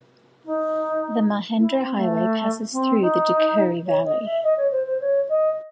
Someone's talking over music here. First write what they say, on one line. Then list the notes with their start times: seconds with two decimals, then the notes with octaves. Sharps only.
The Mahendra Highway passes through the Deukhuri Valley.
0.45 D#4
1.58 E4
1.78 C4
1.96 A3
2.72 C4
3.01 D#4
3.86 C#5
4.05 D#5
4.24 E5
4.43 D#5
4.57 C#5
4.71 C5
4.86 C5
5.01 C#5
5.29 D#5